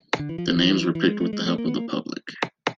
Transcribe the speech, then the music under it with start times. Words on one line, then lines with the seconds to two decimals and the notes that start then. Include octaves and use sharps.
The names were picked with the help of the public.
0.19 D3
0.29 E3
0.38 F3
0.48 F3
0.57 E3
0.95 E3
1.08 G#3
1.20 A3
1.33 G#3
1.46 A3
1.58 A#3
1.68 B3
1.76 A#3